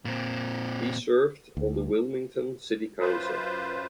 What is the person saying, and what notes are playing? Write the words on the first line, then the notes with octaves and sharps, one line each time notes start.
He served on the Wilmington City Council.
A#2 C4
D2
F#2 F4 B4 C5